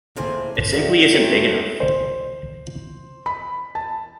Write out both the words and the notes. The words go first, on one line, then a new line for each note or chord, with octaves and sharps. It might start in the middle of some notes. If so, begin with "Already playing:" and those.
It simply isn't big enough.
A2 A#3 C4 G#4 C5 G#5
C#4
F#2 F#4 D5 E5
F#3 A3 C4 C#4
C5
B5
A5